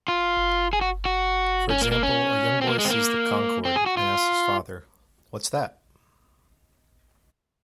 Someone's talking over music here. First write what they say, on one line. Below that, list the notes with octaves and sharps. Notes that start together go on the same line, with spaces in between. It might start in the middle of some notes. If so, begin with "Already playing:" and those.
For example, a young boy sees the Concorde and asks his father "What's that?".
F4
G#4
F#4
F#4
C#4
A#3
A#3
C#4
C4
A#3
G#3
C4
A#3
C4
G#4
F#4
F4